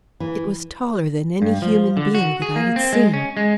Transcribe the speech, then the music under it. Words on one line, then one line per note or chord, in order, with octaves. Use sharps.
It was taller than any human being that I had seen.
E3
G2
F3
D3
F#4
G#4
A#3
C4
G#3
C#4
G#3